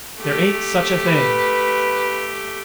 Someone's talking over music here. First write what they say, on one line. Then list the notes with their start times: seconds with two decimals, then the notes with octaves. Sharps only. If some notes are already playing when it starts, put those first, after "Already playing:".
"There ain't such a thing!"
0.21 A3 G4
1.07 B4